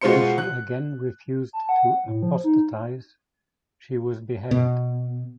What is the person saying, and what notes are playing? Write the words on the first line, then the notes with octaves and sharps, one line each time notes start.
When she again refused to apostatize, she was beheaded.
B2 G#3 F4 C5 C6 C#7
F#6
A5
F#5
A2
F3
D#4
B2